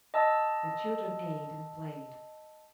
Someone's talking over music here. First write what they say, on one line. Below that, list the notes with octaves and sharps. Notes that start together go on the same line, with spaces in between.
The children ate and played.
D#5 A5 E6